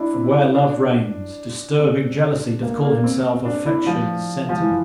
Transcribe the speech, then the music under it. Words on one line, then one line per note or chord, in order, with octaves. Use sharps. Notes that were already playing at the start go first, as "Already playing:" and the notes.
"For where love reigns, disturbing jealousy Doth call himself affection's sentinel."
Already playing: D4 E4
C4
D4
C4
D4
A#3
A#3
C4
D4
E4
F3
F3
E3